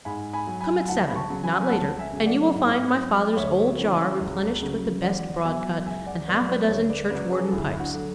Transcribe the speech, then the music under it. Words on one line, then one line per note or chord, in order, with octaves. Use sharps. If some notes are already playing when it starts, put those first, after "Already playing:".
Come at seven, not later, and you will find my father's old jar replenished with the best broadcut, and half a dozen churchwarden pipes.
G#2 G#5 B5
G#5 B5
F#3
G#5 B5
D2 F#5 A5
B5
A5 C#6
C#3 F#3
G#5 B5
B5
C#2 F#5 A5
E5 G#5
C#3 F#3
D5 F#5
G#2
F#3
D2 C#5 E5
C#3 E3
C#2
C#3 F#3
E2 D5 F#5
B2 F#3 E5 G#5
C#2 E5 G#5
D5 F#5
B2 F#3 B4 D5
B4 D5
D2 A4 C#5
B4 D5
C#3 F#3 B4 D5
G#4 B4
A4
D2 E4 G#4
E4
D4 F#4
D3 F#3